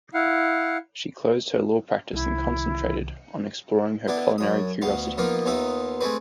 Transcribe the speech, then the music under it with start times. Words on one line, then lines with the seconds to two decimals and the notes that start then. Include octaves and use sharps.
She closed her law practice and concentrated on exploring her culinary curiosity.
0.14 E4 F5 F#5
2.13 C2 D#3 E4
4.08 B3 D4 E4
4.38 F#2 D#6
4.82 D2 B3 F5
5.18 F3 A#3 B3 D#4 F4
5.46 D#2 B3 D#4 F4 E5
6.01 G#3 A3 C4 B4